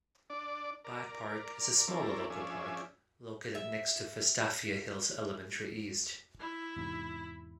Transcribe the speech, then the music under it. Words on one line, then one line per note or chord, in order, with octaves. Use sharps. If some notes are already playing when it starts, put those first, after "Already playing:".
Byrd Park is a smaller local park, located next to Vestavia Hills Elementary East.
D4 D5
A#4 D5
C4 C#4 E4 A4 A#4 D5
F3 C#4 D4 G#4 E5
E5
E4
E2 G#2 C3